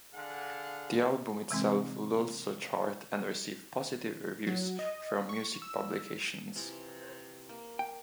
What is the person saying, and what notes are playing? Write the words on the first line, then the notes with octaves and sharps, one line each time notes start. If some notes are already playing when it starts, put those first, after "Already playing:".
The album itself would also chart and receive positive reviews from music publications.
D3 G#4 F5 F#5
C3 E3 G#3 C4
F#3
D#5
C#6
E6
C3 E3 F3
A#3
G5